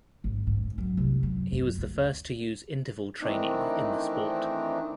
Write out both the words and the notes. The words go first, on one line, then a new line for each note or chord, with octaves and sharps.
He was the first to use interval training in the sport.
G#1
G#2
F#2
C2
F#2
F#2
D2
D#3 E3 A3 C4 D4 D#4